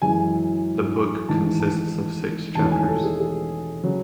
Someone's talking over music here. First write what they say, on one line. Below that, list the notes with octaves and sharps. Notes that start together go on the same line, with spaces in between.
The book consists of Six Chapters.
F#2 E3 G#3 G#5
A1 G#2 D#3 A5
A5
E1 E2 D#3 A3 C#4 A5
G#5
A4
G#4
G#4
C#3 F#3